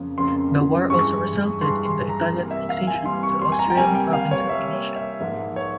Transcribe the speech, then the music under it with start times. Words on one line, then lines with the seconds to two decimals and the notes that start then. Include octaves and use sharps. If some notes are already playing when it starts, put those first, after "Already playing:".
The war also resulted in the Italian annexation of the Austrian province of Venetia.
Already playing: F2 C#3 F3 A#3
0.18 F2 C#3 F3 A#3 C6
0.90 G2 E3 G#3 C#6
1.61 G2 E3 G#3 C6
1.85 C6
2.09 A#5
2.33 C3 E3 G3 A#3
2.51 E5
2.69 F5
2.87 G#5
3.05 C3 E3 G3 A#3 C6
3.23 C#6
3.42 C6
3.52 G#5
3.59 A#5
3.70 G5
3.77 C3 G3 A#3 G#5
3.95 G5
4.13 F5
4.31 C#5
4.48 C3 G3 A#3 E5
4.73 C#5
4.96 E5
5.20 G#2 F3 A#3 E5
5.56 C#5